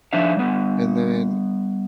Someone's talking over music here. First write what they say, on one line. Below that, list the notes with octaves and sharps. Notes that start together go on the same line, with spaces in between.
and then
F3 D4 D#4 E5 F5
G3 B3